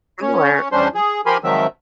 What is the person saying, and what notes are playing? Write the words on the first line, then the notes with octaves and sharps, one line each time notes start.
similar. Mhm.
C#4 C#5
E2 G3 C#4 D4 C5 C6
G#4
F3 G4 A#4 G#5 B5 C6
G#2 D#3 F3 F#3 C4 E5